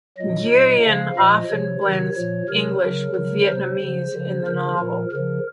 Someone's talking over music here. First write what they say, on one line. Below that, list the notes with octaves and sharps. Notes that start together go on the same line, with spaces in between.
Nguyen often blends English with Vietnamese in the novel.
A#2 F#3 D#5
A#2 F#3
C#3 F3 F5
A#2 F3 D#5
C3 F3 C#5
C3 D#3 F#3
A#2 F3 C#5
C3 F#3 A#4
C#3 F#3 A#4
C#3 F#3
C3 F#3 C5
C#3 F3
C#3 F3
C#3 F3 A#4
A#2 F3 A#4
C#3 F3 A#4